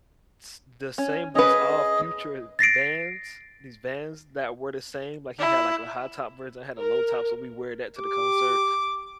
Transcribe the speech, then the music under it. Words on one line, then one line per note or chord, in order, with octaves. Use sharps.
s the same these Odd Future Vans, these Vans that were the same like, he had, like, a high top version, I had a low top, so we wear that to the concert
C#4
C#4 G#4 B4 D#5
A6 A#6 C7 D7
E4
A#4
G4 D6